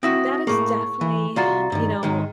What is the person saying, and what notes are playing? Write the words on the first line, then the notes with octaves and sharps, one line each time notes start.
that is definitely you know,
C4 E4 F#4 D#6 A#6
A2 A#3 G#4 C#6
E3
C2 F4 F#4 D5 A#5 A6
G2 D#3
G#2 D#3 G#3